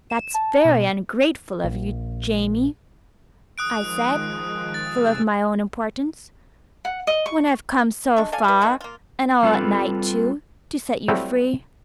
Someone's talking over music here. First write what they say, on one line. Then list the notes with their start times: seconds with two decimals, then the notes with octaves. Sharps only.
"That's very ungrateful of you, Jamie," I said, full of my own importance, "when I've come so far, and all at night too, to set you free."
0.10 E7
0.34 A5
0.65 B2
1.64 A#1
3.58 D#3 F3 G#3 D#6 F#6 D7
4.74 C3 G#4 E6 A6
6.85 F#5
7.07 D#5
7.26 C#6
8.17 G#3 D4 C#6
8.32 A4 D5 F5 G#5
8.44 E4 B4
8.61 D#3 G#3 F#4
8.81 A#3 F4
9.43 G3 C4 F4 A4 B4
11.08 F#3 G3 A3 C4 E4